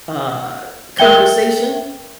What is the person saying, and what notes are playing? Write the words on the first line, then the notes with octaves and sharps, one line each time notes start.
uh, conversation,
A#4 E5 G5 G7